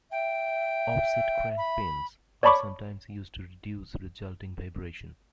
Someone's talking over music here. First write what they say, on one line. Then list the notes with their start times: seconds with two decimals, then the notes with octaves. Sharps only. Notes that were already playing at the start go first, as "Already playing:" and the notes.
Offset crankpins are sometimes used to reduce the resulting vibration.
0.11 E5 G5
1.58 B5
2.43 C#5 D5 A5 B5 C#6 D6